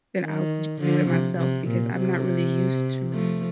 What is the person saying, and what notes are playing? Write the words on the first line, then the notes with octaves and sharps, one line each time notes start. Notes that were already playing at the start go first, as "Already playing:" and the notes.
then I would j do it myself because I'm not really used to
D#3
D3 F3
C3
C3
A#2
C3
F3 A3